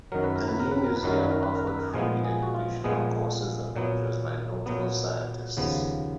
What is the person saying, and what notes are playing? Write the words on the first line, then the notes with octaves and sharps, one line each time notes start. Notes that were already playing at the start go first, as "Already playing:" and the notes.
The new museum offered free educational courses and lectures by notable scientists.
F#2 D#3 F#3 A#4
B4
A#4
B4
A#4
B4
A#4
B4
F#2 D#3 F#3 A#4
B4
A#4
B4
A#4
B4
A#4
A#2 F3 G#3 B3 G#4
G#4
F#4
F4
A#2 F3 G#3 B3 G#4
A#2 F#3 B3
A#2 F#3 B3
D#2 C#3 F3 B3